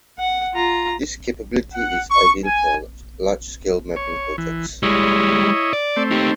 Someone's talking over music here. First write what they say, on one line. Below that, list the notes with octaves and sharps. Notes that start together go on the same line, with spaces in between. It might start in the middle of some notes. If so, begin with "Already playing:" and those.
This capability is ideal for large-scale mapping projects.
F#5
F4 A#5
F#5
C#6
G#5
C#5
E3
G3 G#3 E4 C#5 D#5
D5
A3 C4
D#4 G4